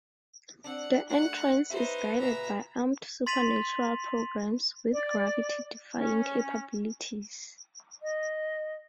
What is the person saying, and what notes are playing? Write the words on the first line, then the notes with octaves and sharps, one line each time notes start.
The entrance is guarded by armed supernatural programs with gravity-defying capabilities.
C4 D4 F#5
G#3 A3 D4 F#5
B3 D#4 G4 B4 C5 E5
A#2 C#3 F#4 E5 A#5
C6 A6 B6 D#7 F7 F#7
D5
C#4
D#5